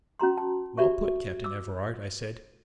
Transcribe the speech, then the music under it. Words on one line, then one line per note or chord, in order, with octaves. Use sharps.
"Well put, Captain Everard," I said.
C#4 F#4 A#5 C6
A5 C6
F#4 G4 D5 E5 C#6
D6 E6